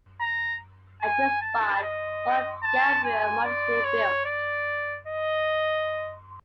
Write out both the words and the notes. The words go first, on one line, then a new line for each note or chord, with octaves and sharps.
At this spot Mor Gabriel Monastery built.
A#5
G#5
A5
D#5
A5
G#5
D5
C#5
D5
D#5